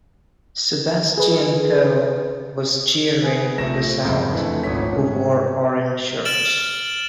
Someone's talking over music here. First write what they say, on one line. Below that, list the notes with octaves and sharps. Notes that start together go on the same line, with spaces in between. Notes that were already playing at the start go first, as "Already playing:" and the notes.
Sebastion Coe was cheering on the South, who wore Orange shirts.
G#4 B4
B3 G#4
A#1 A3 A#6 E7
F#1 F2 G#2 C#3 F4 G6
F2 D3 E3 A3
G#1 D2 A#2 D#4 C#5 B6
G#2 C#4
F6 A6 D7 E7 F#7